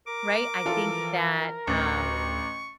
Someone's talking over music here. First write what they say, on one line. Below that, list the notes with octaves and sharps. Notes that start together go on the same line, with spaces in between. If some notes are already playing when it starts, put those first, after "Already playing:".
right? I think that, um,
A#4 D6
E3 F3 E4 F4 A4
A1 D2 C#6